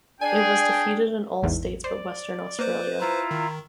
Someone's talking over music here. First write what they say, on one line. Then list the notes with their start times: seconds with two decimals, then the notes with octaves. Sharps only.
It was defeated in all states but Western Australia.
0.21 D4 G#4 D5 G5 G#5
1.42 A1 E2 G#2
1.84 C5 D5
2.59 A#3 B4 C5
3.01 E4 F4 A#5
3.31 D#3